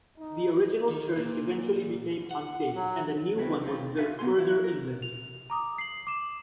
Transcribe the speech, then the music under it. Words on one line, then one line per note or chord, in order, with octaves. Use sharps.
The original church eventually became unsafe and a new one was built further inland.
D#4
D#3
A#2
F#5
F#3
C#3 B3 C4 E4
D#3 C4 F4
F4 F#4 G#4 E5 F5
D2 B3 C4 A4 G#5 C6
E2 E4 F5
A#4
F7
A#5 D6 D#6
C7 F#7
D6 E7